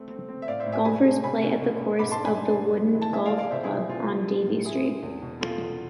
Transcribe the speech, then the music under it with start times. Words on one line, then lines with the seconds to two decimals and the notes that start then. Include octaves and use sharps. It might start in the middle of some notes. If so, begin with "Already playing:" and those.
Golfers play at the course of the Woodend Golf Club on Davy Street.
Already playing: A3 C4
0.10 C4
0.29 C4
0.42 E5
0.48 A2 D5 F5
0.60 C5 E5
0.66 A2
0.72 E5 G#5
0.85 G#3 G#5 B5
1.05 G#3
1.24 B2 G#5 B5
1.42 B2
1.61 B2
1.81 B2
1.99 G#2 B5 D6
2.11 A5 C6
2.19 D4
2.25 G#5 B5
2.37 D4
2.57 G#2
2.75 B3
2.95 E3
3.02 A5
3.13 E3 E5 G#5
3.25 D5 F5
3.32 G#3
3.38 D5 F5
3.51 B2 C5 E5
3.63 E4 G#4
3.70 B2
3.89 B2 F4
4.08 B2
4.27 G#3
4.46 A2
4.65 G#3 E4 G#4
4.85 G#3
5.02 E2
5.22 B2
5.41 B3 F4 A4
5.60 E2